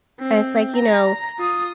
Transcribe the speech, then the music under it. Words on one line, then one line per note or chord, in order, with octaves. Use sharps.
and it's, like you know,
C4
A#5
F4 D#6